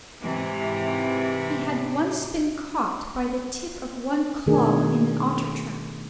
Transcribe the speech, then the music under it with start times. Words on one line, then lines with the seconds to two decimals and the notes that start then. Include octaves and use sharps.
He had once been caught by the tip of one claw in an otter-trap.
0.21 G#2 C3 E3
4.46 B2 D#3 A3 D4 G#4 A#4